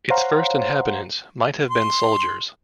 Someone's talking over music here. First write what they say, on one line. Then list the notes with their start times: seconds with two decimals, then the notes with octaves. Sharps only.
Its first inhabitants might have been soldiers.
0.10 C5 C#5 F5 F#5 A#5 C6
1.70 C6